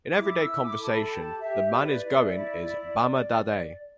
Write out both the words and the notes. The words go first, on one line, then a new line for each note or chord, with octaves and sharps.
In everyday conversation 'the man is going' is "bama dhaday".
B5
E4 D6
E6
E4
D6
A4
B5
G4 A5
G4 E5
B4 D5
E4 D5
E4
E4